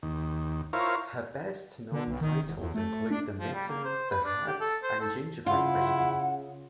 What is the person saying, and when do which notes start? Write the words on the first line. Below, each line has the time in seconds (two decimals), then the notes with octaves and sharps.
Her best-known titles include "The Mitten", "The Hat", and "Gingerbread Baby".
0.03 D#2
0.73 E4 F4 A#4 C5 C#5 F5
1.92 D3
2.07 B1
2.21 D#3
2.43 E1
2.58 E2
2.75 A3
3.11 D4
3.39 F3
3.53 G3
3.67 A#3
3.84 C5
4.10 B4
4.24 D4
4.47 G4
4.60 A4
4.83 C5
5.00 A4
5.47 C#3 E4 F4 F#5